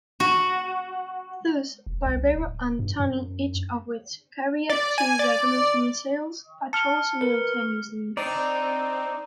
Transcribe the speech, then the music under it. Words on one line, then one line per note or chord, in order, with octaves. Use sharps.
Thus, "Barbero" and "Tunny", each of which carried two Regulus missiles, patrolled simultaneously.
F#4
E1
C2
D1
G2
F#2
D5
G#5
D5
A5 F6 C#7
A#4 B4
C4 D4 D#4 D5